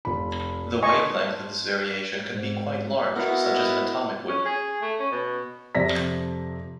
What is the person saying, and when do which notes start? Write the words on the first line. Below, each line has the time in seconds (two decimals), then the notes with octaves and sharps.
The wavelength of this variation could be quite large such as an atomic width.
0.05 F1 F4 B5
0.82 D#5 G#5 A5 C6 C#6
2.31 G#2
3.16 B3 E4 F#4 A#4 D#5 F#5
4.28 C#4
4.45 G#4
4.82 A3
4.99 C#4
5.11 B2
5.75 F2 C3 D5 A#6 B6